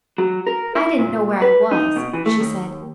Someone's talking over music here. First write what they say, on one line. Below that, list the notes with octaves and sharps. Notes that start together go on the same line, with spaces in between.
"I didn't know where I was," she said.
F#3
A#4
E4
A#2
B4
D#4
B2
E3
A3
D#2